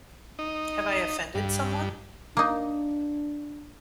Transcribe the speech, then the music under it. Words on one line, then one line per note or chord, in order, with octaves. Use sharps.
Have I Offended Someone?
D#4
G2
A#3 D4 D#4